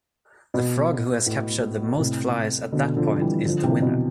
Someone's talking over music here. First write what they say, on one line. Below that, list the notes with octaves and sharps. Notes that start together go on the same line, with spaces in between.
The frog who has captured the most flies at that point is the winner.
B2
A2
A2 C3
B2 D3
D3 F3
F3
E3 G3
D3 F3
C3 E3
B2